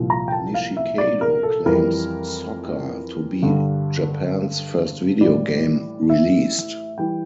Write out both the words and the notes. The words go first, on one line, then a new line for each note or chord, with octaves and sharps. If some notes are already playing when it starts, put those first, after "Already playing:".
Nishikado claims "Soccer" to be "Japan's first video game" released.
Already playing: C2 A#2 F3
A#5
G5
A5
F5
E5
D5
A#4
A4
F2 E3 G3 A#4
G2 D3 G3
A2 E3 G3 D5
E5
E3 G3 G5